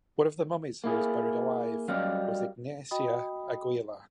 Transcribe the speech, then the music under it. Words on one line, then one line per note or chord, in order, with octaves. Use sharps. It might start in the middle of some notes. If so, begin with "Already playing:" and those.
One of the mummies who was buried alive was Ignacia Aguilar.
A#3 E4 G#4
F#2 F#3 G3 C#4 D#5 F5
F#4 D#5 G5 B5 D#6